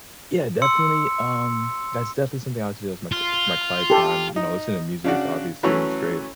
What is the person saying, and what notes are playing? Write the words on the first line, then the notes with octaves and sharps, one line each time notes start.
yeah, definitely um, that's definitely something I like to do as my qu for my quiet time, you know, listen to music, obviously, is great,
C6 E6 C#7
F4
G4 A4
D#4
C#3 D4 F#4
E3 F#3 A3 C#4